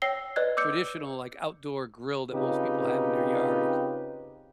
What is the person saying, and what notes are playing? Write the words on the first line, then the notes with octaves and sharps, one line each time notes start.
traditional, like, outdoor grill that most people have in their yard, it's
C#5 G5 E6 A#6 C7 G7
B4 D5 D#5 F#6 G#6
D6 E6 G6 C#7
C#3 C4 D#4 F4 G4 B4